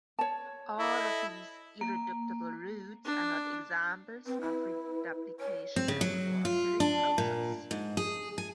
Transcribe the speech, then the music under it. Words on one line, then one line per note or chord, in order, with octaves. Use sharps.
All of these irreducible roots are not examples of reduplication as a word-building process.
C#5 A5
E4 A4 D#5
A#3
D4
C4 B4
E4
C#5
C4
C#3
F#3
F4
D4
A#2
G#2
G#4
G#5